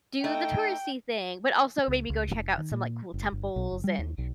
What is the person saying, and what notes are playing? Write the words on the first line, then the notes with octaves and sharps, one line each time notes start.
do the touristy thing, but also maybe go check out some, like, cool temples and,
A3 D#4 G5
C#2
C#2
F1
D#3
A#2
F#1
G1
B1
F#1
G3
D#2
B1